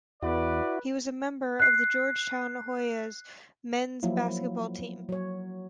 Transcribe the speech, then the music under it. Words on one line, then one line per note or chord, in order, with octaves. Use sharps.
He was a member of the Georgetown Hoyas men's basketball team.
E2 E4 F#4 B4 D5
F#6 C7
F3 F#3 A#3 E4
F#3 C#5